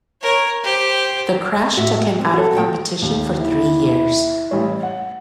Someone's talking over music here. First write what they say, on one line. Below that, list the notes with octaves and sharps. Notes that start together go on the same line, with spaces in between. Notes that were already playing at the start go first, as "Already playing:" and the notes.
The crash took him out of competition for three years.
A#4 C#5
G4 C5
A2 F#4 E5
G3 C4
F#4 A4
D2 A#2 G5
D#2
E4
A1 G3 C#5
F#5